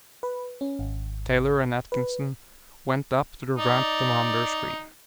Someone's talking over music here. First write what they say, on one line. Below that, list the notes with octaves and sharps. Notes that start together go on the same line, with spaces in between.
Taylor and Atkinson went up to the Ramp thermometer screen.
B4
C#4
G#1
B4
D#4 D5